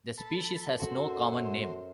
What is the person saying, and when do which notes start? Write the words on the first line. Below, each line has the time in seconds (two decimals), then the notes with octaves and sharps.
The species has no common name.
0.18 A4 A5 B5
0.80 F#2 F#4 A4 C5